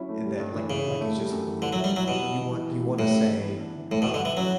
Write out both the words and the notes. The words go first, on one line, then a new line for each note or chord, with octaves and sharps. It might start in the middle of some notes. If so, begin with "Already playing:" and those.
eh, that like like it's just, eh, it you want you wanna say, um,
Already playing: F#3 C#4 E4
A3
G3
G2
E3
C#3 E4
D3
A3
G3
F#2
E3
D3 B4
F#3
E5
G3
F#3 E4
B2 G3
B3
E3
E4
G4
A3
A2 G3
C#4
E3
B3
D4
E3
A2 A4
B2
E5
D3
E3 E4
F#3 C#4